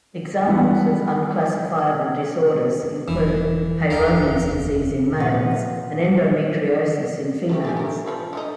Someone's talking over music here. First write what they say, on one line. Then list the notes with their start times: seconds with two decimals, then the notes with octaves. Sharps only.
Examples of unclassifiable disorders include Peyronie's disease in males and endometriosis in females.
0.47 G2 E3 B3
3.08 E1 E3
3.90 F1 D#2 C#4 A#4 F5 G5
5.17 A#2 F3 C#4 F4 B4 F#5
7.49 A3 B3 G4
7.65 D4 G4 G#5
7.77 A3 A#4
8.06 F3 F4 B4
8.33 D3 A3 D#4